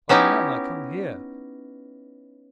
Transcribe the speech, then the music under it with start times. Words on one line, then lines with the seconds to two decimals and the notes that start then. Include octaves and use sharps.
Oh, mamma, come here.
0.09 B3 C#4 D#4 E4 G4